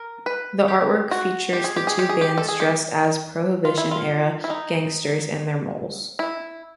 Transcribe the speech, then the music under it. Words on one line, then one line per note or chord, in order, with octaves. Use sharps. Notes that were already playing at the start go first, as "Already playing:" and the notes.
The artwork features the two bands dressed as prohibition era gangsters and their molls.
Already playing: A#4
B4
G4
F#4
G4
G#4
G4
G#4
G4
G#4
G4
A4
G#4
G4
F4
E4
F4
E4
D#4
E4